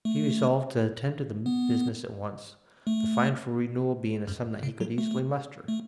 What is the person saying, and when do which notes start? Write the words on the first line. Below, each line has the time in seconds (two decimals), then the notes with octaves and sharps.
He resolved to attend to the business at once, the fine for renewal being a sum that he could easily muster.
0.05 A3
1.46 B3
2.87 A3
4.27 F#2
4.63 C#3
4.80 F#3
4.98 A3
5.68 A3